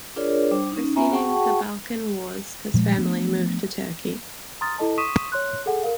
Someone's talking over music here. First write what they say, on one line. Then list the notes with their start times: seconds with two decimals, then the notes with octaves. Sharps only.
Preceding the Balkan Wars, his family moved to Turkey.
0.16 D4 F4 G#4 A#4 C#5 D5
0.51 G3 D4 C5
0.72 C#4 D#4
0.96 B3 C#4 F4 E5 G#5 A#5
1.11 F#4 G#4 F#5 G5 A5 C#6
2.74 A#2 F3 F#3 G#3
2.97 F3 A3 B3 D4
4.61 A#5 C6 D#6 F6 A6
4.78 E4 A4 D#5 A5
4.98 C6 C#6 D#6 B6 D#7 E7
5.32 C#5 C6 F#6
5.66 G#4 A4 F#5 G#5
5.83 A#4 F5